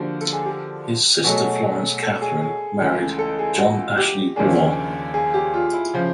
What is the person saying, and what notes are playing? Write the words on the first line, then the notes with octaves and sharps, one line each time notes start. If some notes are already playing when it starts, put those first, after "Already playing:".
His sister Florence Catherine married John Ashley Warre.
Already playing: D3 F3 A#3 D4 F#4 G4
A4
G#4
G4
B2 F#3 A3 G#4
A4
G#4
G#4
C#2 C#3 E3 A3
A4
G#4
F#4
G4
D#2 C#3 F3 A#3 D4 G#4
G#4
G4
F4
E4
C#3 F3